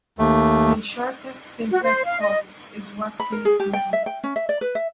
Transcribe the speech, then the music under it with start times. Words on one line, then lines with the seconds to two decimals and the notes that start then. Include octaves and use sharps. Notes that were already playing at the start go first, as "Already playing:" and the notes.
The shortest, simplest course is Watkins Glen.
0.19 D#2 A3
1.71 F#4
1.83 C5
2.05 F5
2.21 D#5
3.20 B5
3.32 A#4
3.45 G#4
3.60 G4
3.73 G5
3.93 E5
4.06 G5
4.24 C#4
4.36 E5
4.49 D5
4.61 B4
4.75 E5